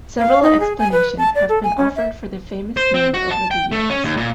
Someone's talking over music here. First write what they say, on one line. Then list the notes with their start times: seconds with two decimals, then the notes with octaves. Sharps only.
Several explanations have been offered for the famous name over the years.
0.18 F5
0.43 D#4
0.60 G#4
0.79 G#5
0.92 B4
1.18 A5
1.35 D5
1.49 A4
1.63 G#5
1.78 C#4
1.96 E5
2.77 C5
2.94 C4
3.14 F#4
3.31 A5
3.51 G5
3.72 A3
3.90 C#4
4.04 D#2
4.17 A#2